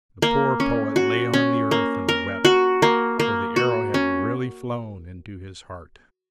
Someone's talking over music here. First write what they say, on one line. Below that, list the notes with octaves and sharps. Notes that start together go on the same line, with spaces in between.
The poor poet lay on the earth and wept, for the arrow had really flown into his heart.
A#3
C#4
F#4
C#4
A#3
A#4
F#4
A#3
A#3
F#4
C#4